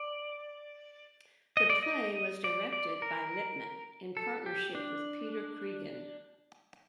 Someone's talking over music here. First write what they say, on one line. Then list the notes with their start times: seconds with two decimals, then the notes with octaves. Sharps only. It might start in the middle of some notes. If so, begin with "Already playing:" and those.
The play was directed by Lipman in partnership with Peter Cregeen.
Already playing: D5
1.57 D#5
1.70 D5
1.83 D#5
2.44 D5
2.73 D5
3.02 A#4
4.17 A4
4.46 G4
4.75 D4